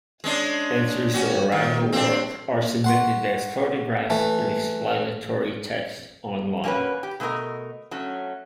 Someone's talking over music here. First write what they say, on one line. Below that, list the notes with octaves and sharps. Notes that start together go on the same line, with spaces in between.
Entries from around the world are submitted as photographs and explanatory text online.
G#3 C#4 D4
C#4 F#4
D#3
C4 D4
F#5 C6 C#6
E3 A3
A#3 C4 C#4 F4 F#4 B4
G4
B2 A3 A4 A#4 D#5
F#3 A3 C#4